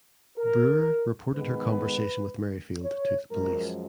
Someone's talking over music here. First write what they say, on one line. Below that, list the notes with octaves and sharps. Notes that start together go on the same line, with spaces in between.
Brewer reported her conversation with Merrifield to the police.
A#4
G#2 D#3 G#3 B3 B4
C#5
F#2 F3 G#3 A#4